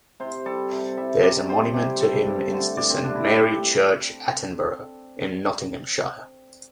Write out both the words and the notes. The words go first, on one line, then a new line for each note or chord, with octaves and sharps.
There is a monument to him in Saint Mary's Church, Attenborough in Nottinghamshire.
C3 C5
G3 A4
C3
G3 E5
C3 D5
G3 C5
C3 G4
G3 A4
G2
D3 A3
G2 D5
C4
D3 A3 D4
E4
G4
G2 E4
G4